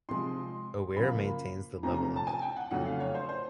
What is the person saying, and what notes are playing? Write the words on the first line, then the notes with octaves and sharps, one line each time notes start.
A weir maintains the level of it.
C3 F3 G#3 C6
F#2 C#3 F3 A#3 B5
F2 C3 F3 A3 C#4 A#5
A#5
A5
G#5
G5
F#5
F2 C#3 F#3 A3 C#4 F#5
F5
C#5
C5
C5